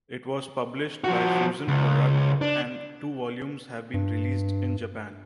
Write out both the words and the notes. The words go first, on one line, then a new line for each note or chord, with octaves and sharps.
It was published by Fusion Product and two volumes have been released in Japan.
F3 F#4
C#2
D4
G2